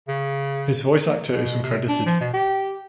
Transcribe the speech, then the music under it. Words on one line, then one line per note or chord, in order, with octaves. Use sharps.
His voice actor is uncredited.
C#3
A#3
B2
C3
D4
F3
B2
G4